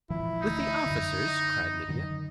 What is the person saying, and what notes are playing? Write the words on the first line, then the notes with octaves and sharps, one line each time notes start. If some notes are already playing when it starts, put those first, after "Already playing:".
"With the officers!" cried Lydia.
A#2 E3 F3 E4
D2 D#4
F#2 D3
D#5
F#2 D3 D#3